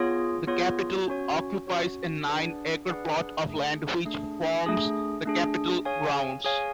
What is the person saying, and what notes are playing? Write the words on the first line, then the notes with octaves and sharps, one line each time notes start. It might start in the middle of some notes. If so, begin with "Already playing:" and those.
The capitol occupies a nine acre plot of land which forms the capitol grounds.
Already playing: B3 F4 G#4 C#5
B3 F4 G#4 C#5
C#4 F#4 C#5
C#4 F#4 C#5
D4 G#4 B4 D5 F#5
D4 G#4 B4 D5 F#5
A3 D4 G#4
A3 D4 G#4
A3 D4 G#4
A3 D4 G#4
G#4 C#5 F5 G#5
G#4 C#5 F5 G#5